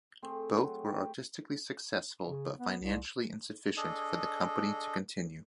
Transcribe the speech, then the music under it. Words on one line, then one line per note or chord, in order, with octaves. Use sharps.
Both were artistically successful but financially insufficient for the company to continue.
A3 C4 G#4
F#3
G4
C#3
B3
C2
D4 G#4 A4 D#5